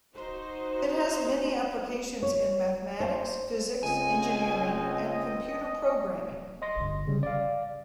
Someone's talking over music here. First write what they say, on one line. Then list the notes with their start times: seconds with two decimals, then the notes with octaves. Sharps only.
It has many applications in mathematics, physics, engineering, and computer programming.
0.14 D#4 F#4 C5
2.23 C#5
3.00 C5
3.83 C#2 C4 D#5 G#5
6.62 D#5 C6 A#6
6.80 G1
7.07 C#3 G3
7.23 D5 F5